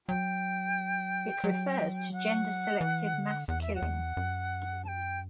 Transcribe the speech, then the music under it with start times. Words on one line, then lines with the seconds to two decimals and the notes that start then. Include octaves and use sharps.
It refers to gender-selective mass killing.
0.08 F#3 G5
1.44 F#3
2.12 F#5
2.81 E3
3.14 D3
3.48 E2 F#5
3.62 E5
3.75 F#5
3.82 E2
4.17 F#2
4.84 A5
4.88 G5